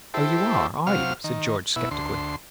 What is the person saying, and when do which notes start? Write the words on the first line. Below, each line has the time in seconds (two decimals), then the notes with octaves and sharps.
"Oh, you are, are you?" said George skeptically.
0.14 E4 G4 A4 C5
0.87 C3 F#3 F5 F6
1.24 D#3
1.76 B2 E4
1.91 D2 C6